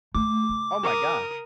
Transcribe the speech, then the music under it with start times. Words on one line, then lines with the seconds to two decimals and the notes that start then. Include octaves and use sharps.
Oh my gosh.
0.15 A3 D6
0.49 C#3
0.83 A#4 D#6